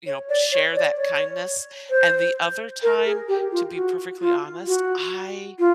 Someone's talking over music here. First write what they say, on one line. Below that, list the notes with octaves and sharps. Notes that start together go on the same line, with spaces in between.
you know, share that kindness, and the other time, to be perfectly honest, I
C#5
D5
C#5
D5
C#5
C5
A#4
G#4
G4
F4
F#4
F4
F#4
F4